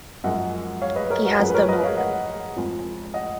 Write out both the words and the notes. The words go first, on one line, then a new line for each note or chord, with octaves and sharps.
He has them on.
F#2 F3 G#3 D#5 F#5
C#5 F5
B4 D#5
A#4 C#5
F#4 A#4
F#2 F3 G#3 G#4 B4
B4
A#4 C#5
B4 D#5
C#5 F5
D#5 F#5
F2 F3 G#3
D#5 F#5